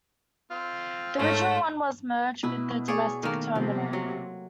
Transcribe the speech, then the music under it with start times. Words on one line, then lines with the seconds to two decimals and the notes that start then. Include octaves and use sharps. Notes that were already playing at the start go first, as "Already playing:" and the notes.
The original one was merged with the domestic terminal.
0.51 C4 F4
1.18 G#2 A3 C#5
2.43 B2 E4 B4
2.88 G#4 C#5 D5
3.23 D#3 A3 A#3
3.55 C3 F3
3.93 F#3